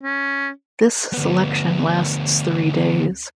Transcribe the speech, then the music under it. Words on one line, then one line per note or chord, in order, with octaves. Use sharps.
This selection lasts three days.
C#4
D2 B3